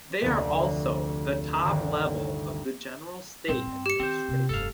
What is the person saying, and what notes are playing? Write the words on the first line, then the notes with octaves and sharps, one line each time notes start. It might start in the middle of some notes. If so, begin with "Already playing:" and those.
They are also the top level of the General State Administration.
F1 D2
G1 D2 D#3
G2 A#2 C4
G2
G4 C#7
D#3 C4 C5
C3 B3
F1 G2 A4 F5